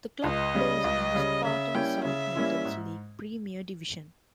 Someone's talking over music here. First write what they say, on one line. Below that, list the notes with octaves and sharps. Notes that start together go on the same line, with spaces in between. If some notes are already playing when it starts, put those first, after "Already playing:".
The club plays in the Spartan South Midlands League Premier Division.
C#2 D#5
C#3 G3
C#2
C#3 G3
C#3 E5
G3 A#3 C#4 E4 G5
C#3 E5
G3 A#3 C#4 E4
G#2